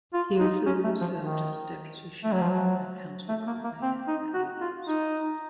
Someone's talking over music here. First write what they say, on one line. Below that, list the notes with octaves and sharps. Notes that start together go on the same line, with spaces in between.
He also served as deputy sheriff and county court bailiff for eight years.
F4
D#4
C#4
A3
F3
D#3
A3
F#3
F3
F#3
A3
A#3
A#3
C4
D#4
F#4
F4
D#4